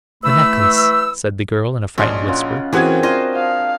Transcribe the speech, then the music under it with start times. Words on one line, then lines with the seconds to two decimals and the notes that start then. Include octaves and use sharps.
"The necklace," said the girl, in a frightened whisper.
0.24 E3 A3 B5 E6
1.98 A#1 C#4 D4 F#4 D#5 C6
2.28 C#3 F4 F#5
2.73 E3 C4 F#4 G#4 A#4 C#5 G#6
3.03 D4 F4 F#4 C5 D#5 A#6
3.35 F3 F5